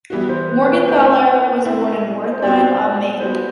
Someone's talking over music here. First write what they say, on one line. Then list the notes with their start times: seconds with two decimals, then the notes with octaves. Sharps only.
Morgenthaler was born in Wertheim am Main.
0.10 E3 G3 B3 F#4
0.29 C5
0.49 B4
0.68 B4
0.88 A3 C4 E4 C5
1.65 A3 C4 E4
2.32 C5
2.42 G3 B3 F#4 D5
3.20 G3 B3 F#4 C5